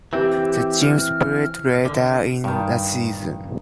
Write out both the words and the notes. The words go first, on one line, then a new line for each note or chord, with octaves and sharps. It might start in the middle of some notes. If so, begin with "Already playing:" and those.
The team split later in the season.
E3 C4 G4
F6
D3
G2 D#3